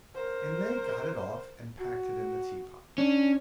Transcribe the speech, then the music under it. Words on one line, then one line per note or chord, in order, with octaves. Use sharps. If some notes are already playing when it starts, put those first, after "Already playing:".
And they got it off, and packed it in the teapot.
A#4 C5
F#4
C#4 D4